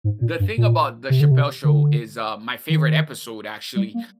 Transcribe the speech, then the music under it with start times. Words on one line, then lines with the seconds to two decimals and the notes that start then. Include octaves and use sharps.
the thing about the Chappelle Show is, uh, my favorite episode actually,
0.04 G#2
0.21 A#2
0.40 G2
0.57 A#2
1.10 C3
1.20 D3
1.31 C3
1.64 D3
2.69 D#3
3.76 G3
3.94 A#3